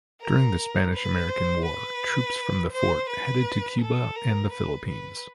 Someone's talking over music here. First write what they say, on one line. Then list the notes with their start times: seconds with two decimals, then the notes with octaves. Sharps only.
During the Spanish-American War, troops from the fort headed to Cuba and the Philippines.
0.21 A#4
0.93 B4
1.29 C5
1.65 B4
2.72 C5
3.09 B4
3.81 A4
4.16 A#4
4.52 B4
4.89 B4